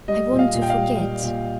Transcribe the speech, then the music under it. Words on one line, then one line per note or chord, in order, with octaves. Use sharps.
I want to forget.'
G3 D#5
A#2
F5
A#2
G5
F5
G3
G3
A#2